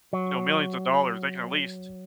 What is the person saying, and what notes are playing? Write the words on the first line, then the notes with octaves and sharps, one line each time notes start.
you know, millions of dollars, they can at least
F#3